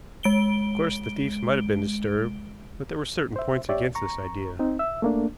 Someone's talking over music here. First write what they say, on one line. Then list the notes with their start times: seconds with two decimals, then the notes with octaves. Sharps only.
Of course the thieves might have been disturbed, but there were certain points against this idea.
0.23 G#3 D7 G7
3.36 C5 E5
3.69 G4 C#5 D5 E5
3.95 A#5 C#6
4.59 C4 D#4
4.79 E5 E6
5.02 A3 A#3 D4